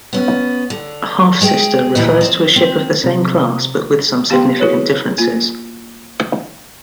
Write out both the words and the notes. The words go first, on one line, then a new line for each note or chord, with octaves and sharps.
"Half-sister" refers to a ship of the same class but with some significant differences.
B3 C#4
D3
G#3 G#4 D5 G5
D2 A#2 E3 D#5
C4
C4
C3
B3 G4 F5 G5 C6
E4 F#4 G#4 B4 C#5
A#3 F4